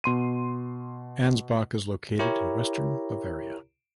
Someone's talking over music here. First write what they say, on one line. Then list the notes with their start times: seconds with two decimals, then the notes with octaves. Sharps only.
Ansbach is located in western Bavaria.
0.04 B2 C6 D#7
2.19 E4 G4 A#4 C#5 A#5